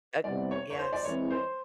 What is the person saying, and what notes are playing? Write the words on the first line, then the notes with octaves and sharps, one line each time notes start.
Uh Yes.
C3 E3 G3 B3 D5
C#5
C#5
C5
D5
E3 G#3 C4 E4 C#5
C5